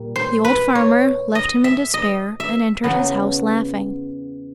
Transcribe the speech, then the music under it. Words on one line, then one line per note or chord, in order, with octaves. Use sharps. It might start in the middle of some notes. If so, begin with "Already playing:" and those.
The old farmer left him in despair, and entered his house laughing.
Already playing: A#2 G3
C5
B4
C#5
D#5
E5
D#5
E5
E2 C#3 F#3 B3